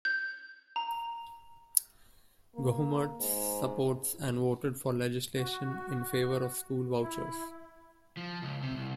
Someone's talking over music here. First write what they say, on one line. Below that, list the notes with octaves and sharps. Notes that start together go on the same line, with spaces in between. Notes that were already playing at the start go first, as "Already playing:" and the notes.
Gohmert supports and voted for legislation in favor of school vouchers.
G6
A#5
A#3
G#2
F#4
E4
F3
C#2
C3
C2